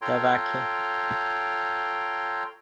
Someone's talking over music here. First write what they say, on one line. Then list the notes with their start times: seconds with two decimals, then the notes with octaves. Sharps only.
De Vecchi.
0.02 F4 A4 C#5 G5 A#5 C6